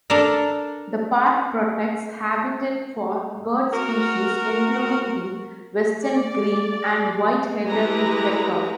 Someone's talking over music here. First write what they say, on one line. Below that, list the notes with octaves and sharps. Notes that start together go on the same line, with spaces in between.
The park protects habitat for bird species including the western grebe and white-headed woodpecker.
D4 A4 A#4
F#4 A#4
D5
G#3 A3 E4 G4 B4 A#5